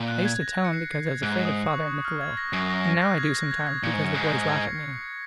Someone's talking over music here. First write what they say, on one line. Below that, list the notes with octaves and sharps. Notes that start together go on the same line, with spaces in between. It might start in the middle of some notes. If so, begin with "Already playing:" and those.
I used to tell 'em because I was afraid of father and Nicolo, and now I do sometimes because the boys laugh at me.
Already playing: A#2
F#6
G#6
A#6
C#7
C7
C7
G#6
G#2 F#6
D#6
C#6
F6
G#6
A#6
F#2 C7
A#6
A#6
F#6
G#6
A#6
G#6
G#6
A#2 C#7
G#2
F#2 C#7
G#2 C7
A#6
G#6